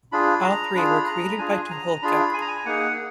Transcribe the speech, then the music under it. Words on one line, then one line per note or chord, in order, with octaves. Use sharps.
All three were created by Tucholka.
D4 F4 G#4 B5
A#5
D4 F4 G#4 B5
A#5
D4 F4 G#4 G#5
A#5
D4 F4 G#4 B5
G#5
A#5
G#5
A#3 D#4 G#4 F#5